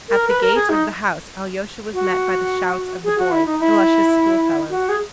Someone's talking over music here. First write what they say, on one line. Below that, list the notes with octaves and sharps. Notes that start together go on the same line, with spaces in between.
At the gate of the house Alyosha was met by the shouts of the boys, Ilusha's schoolfellows.
A#4
B4
A#4
G#4
D#4
F#4
G#4
F#4
E4
D#4
E4
F#4
G#4